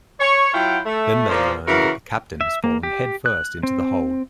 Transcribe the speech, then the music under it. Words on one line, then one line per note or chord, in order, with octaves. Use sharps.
Then they learn that the captain has fallen head-first into the hold.
C#5
F#3 E4 F4 F#5 G5
A3
A#2 F3 A#3
C#3 E3 F#4 A#4
E5
A#3
G4
F#6
C4